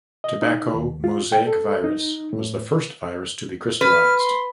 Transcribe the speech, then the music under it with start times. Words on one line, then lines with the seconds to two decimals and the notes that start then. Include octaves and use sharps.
Tobacco mosaic virus was the first virus to be crystallized.
0.24 D#5
0.42 D#4
0.74 D#2
1.04 F4
1.32 G5
1.47 A4
1.84 D#4
2.33 A2
3.81 B4 F6
4.19 C6